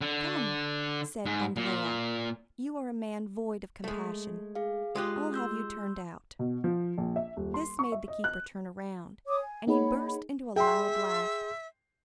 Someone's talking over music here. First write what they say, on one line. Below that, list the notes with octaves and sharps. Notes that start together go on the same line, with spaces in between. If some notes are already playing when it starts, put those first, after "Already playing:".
"Come," said Andrea, "you are a man void of compassion; I'll have you turned out." This made the keeper turn around, and he burst into a loud laugh.
D3
G#2
A#2
G#3 A3
G#4 F5
G#3 F4 G4 D#6 F#6
C6 E6 G6
B2
F3
A#1
E5
D#1
C6
C#6
E5
D#5
F#6
C#5 D6 D#6
G#5
A#3 D#4 G#4 C#5 F#5 B5
G#4 E5 G5 C6